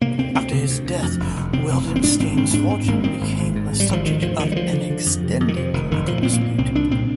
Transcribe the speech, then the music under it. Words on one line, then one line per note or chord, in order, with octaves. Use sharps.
After his death, Wildenstein's fortune became the subject of an extended legal dispute.
C3 A#3
D2 C4
D2 C4
C3
D2
D2
F2
F1
F1
C3 C4
F1
F1
C4
G#2 D4
G#1 C4
G#1 C4
G#2 D4
G#2 C4
G#1 A#3
G#2 C4
G#1
G#1
G#2
G#2
G3
G#1 F3
D2 D#3
D2 F3
D2 D#3
G3
D2 F3
D3
D3
F2
C3
F2
D#3
C3 F3
F1 D#3
F1 D#3
A#2 F3
A#2 C4
A#3
A#2
C2 C4
C2 D4
A#2 C4